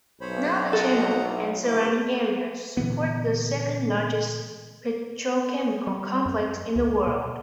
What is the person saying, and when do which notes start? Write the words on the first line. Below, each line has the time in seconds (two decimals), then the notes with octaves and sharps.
Now the channel and surrounding area support the second-largest petrochemical complex in the world.
0.21 B1 C5 C#5 B5
0.73 A4 D#5 F#5 A#5
1.27 E4
1.65 C#2 D3 E4 D6
2.77 A#2 D3 E3 B3
5.87 G3
6.26 F#2
6.76 D2
7.07 B2